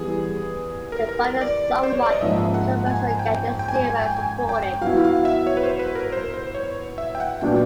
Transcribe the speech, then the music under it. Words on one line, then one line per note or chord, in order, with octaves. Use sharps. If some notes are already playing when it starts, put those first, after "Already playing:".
The fund is somewhat controversial yet is still well supported.
Already playing: E3 G3 B3 G#4
A#4
A#4
D5
C5
C#5
D5
D#5
G#2 F3 A#3 C#4 E5
F#5
G#5
G5
G5
G#5
G#5
G5
G#5
G5
F#3 B3 E4 F5
F5
E5
C#5
B4
C5
B4
A#4
C5
C5
C#5
E5
G5
F#5
A#2 F#3 B3 D4 G5